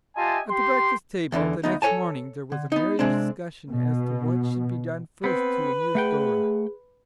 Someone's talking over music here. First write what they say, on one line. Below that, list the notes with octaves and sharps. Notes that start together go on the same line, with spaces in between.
At the breakfast-table the next morning there was a merry discussion as to what should be done first to amuse Dora.
F4 G4 D#5 E5 G#5 A5
G4 C6
E2 D3 E3
D2 B3 D#4
A4 B4 C#5 G#5 A5
D3
B3 D#4
C3 G#3 C4 D4
B2
B3 C4 B4
A3 G#4 F#5 G5